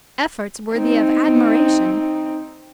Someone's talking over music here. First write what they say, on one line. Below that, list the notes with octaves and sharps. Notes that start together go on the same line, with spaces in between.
Efforts worthy of admiration!
C4 D#4